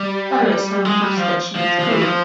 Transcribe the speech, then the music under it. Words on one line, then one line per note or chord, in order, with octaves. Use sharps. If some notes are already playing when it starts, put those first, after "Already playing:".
Barre is home to Stetson School.
Already playing: G3
G#3
G3
F3
F3
F3
E3
F3